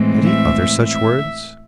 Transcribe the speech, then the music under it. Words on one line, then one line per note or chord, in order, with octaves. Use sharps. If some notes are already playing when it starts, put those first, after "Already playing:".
Had he other such words?
Already playing: A2 E3 G#3 C4
E5
E5